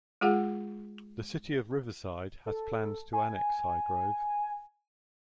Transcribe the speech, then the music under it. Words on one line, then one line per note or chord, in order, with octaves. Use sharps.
The City of Riverside has plans to annex Highgrove.
G#3 F4 G#4 F#5
A4
G#5